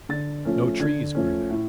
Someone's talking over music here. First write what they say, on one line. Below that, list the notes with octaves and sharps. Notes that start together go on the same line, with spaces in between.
No trees grew there.
D3 A6
F3 A3 C#4
D3 G#6
F3 A3 C#4
A2